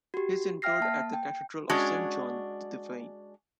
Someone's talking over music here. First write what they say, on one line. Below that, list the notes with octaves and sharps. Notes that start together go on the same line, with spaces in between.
He is interred at the Cathedral of Saint John the Divine.
F#4 G4
E5 F5 G5 F6 A#6 C7
A#3 A5
G5
G#3 C#4 D4 F#4